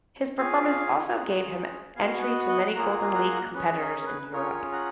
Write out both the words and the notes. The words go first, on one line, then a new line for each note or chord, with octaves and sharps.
His performance also gave him entry to many Golden League competitions in Europe.
C#4 F4 G#4 F5 G#5
G#5
C#4 F4 G#4 F#5 A#5
B3 F#4 F5 G#5
G#5
D#5 F#5
D#5 F#5
A#3 F4 G#4 F#5 A#5
F#5 A#5
C#4 G#4 B4
A#4
A#4
B4
C#4 F4 G#4 A#4 C#5
F#5 A#5